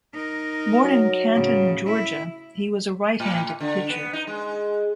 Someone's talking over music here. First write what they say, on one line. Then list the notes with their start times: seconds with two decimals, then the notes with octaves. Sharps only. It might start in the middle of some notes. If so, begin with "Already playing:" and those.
Born in Canton, Georgia, he was a right-handed pitcher.
0.13 D#4 A#4
0.84 F#3
1.34 A2 C#3
1.86 E4
3.20 A2
3.60 D3
3.90 B3
4.13 D#4
4.27 G#3